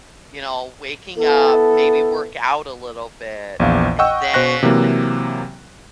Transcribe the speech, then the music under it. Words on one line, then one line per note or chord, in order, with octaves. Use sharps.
you know, waking up, maybe work out a little bit, and then
B3 E4 A4
A#1 E2 F5
D#5 F#5 G5 C#6 E6
B2 C5 C#6 F#6 A#6
C3 E3 F#3 A#3